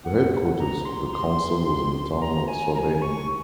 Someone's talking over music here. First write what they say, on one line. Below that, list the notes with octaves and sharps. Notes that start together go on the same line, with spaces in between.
The headquarters of the council was in the town of Strabane.
F#5
A#5
C6
C6
A#5
G#5
A#5
G#5
C#6